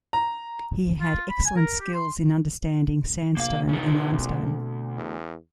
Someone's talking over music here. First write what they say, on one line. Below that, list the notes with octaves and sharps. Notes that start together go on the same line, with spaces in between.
He had excellent skills in understanding sandstone and limestone.
A#5
F4
B5
G#5
A#4
G4
C6
A#1 C3 A#3 F5
C#3 D#4
D2 B2 C4
E2